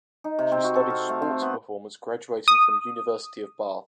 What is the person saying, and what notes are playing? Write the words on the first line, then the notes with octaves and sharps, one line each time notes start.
She studied Sports Performance graduating from University of Bath.
D#4
C3
C4
F#4
A4
F5
A3
C4
B3
D#6